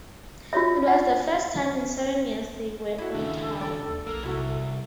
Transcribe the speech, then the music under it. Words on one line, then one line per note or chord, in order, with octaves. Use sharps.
It was the first time in seven years they were on tour.
F4 F#4 C#5 E5
F#5
E4 F#4 A4
D#2 C#3 D4
D5
D#2
B1 A#3
C2 E4 F#4